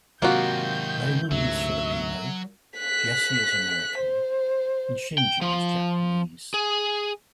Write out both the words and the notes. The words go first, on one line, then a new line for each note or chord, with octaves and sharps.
Raimund is Filipino, Jesse is American, and Shinji is Japanese.
G#2 C3 D#3 F#3 A#3 F4 F#4 G6
D2 G#2 C3 F#3 E5
F#6 B6
C5
G5
F3
G#4